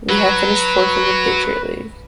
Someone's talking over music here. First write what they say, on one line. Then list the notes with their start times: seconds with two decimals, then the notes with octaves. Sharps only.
Lehigh finished fourth in the Patriot League.
0.09 F#3 B4